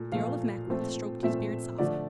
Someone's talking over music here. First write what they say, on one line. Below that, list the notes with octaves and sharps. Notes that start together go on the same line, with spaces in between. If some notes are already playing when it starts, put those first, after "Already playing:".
The Earl of Mackworth stroked his beard softly.
Already playing: A#2 A3
A#2 F3 A3 F5
A#2 F3 A3 C4
A#2 F3 A3 C4 E5
D3 F3 A3 D5